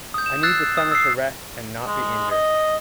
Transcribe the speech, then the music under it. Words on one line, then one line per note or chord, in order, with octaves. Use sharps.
I need the summer to rest and not be injured.
D#6 G6
E7
E6 F#6 A6 C7
D#6
E6 C7
G#3
D#5